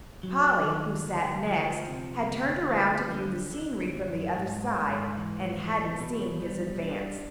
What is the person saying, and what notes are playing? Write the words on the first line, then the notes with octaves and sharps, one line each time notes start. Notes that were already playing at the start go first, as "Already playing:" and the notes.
Polly, who sat next, had turned around to view the scenery from the other side, and hadn't seen his advance.
F#3
D#3
D2
F3
C3
D2
F3
D3
D3
F#2
G#2
G#2
E3
E3
B2
G3
D4